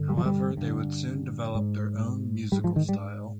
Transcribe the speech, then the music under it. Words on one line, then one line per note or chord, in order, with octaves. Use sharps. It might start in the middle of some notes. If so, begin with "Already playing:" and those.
However, they would soon develop their own musical style.
Already playing: G2 D3
G3
F3
G3
G2 D3
G#2
G#2 G3
F3
D#3
G3